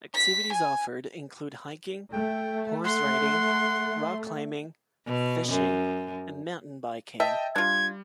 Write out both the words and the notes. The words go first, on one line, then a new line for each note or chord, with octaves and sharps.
Activities offered include hiking, horse riding, rock-climbing, fishing and mountain-biking.
B6
G#5
A3 G5
F#5 C6
B2
F#2
D#5 E5 G5 A5
G3 D4 F4 G#6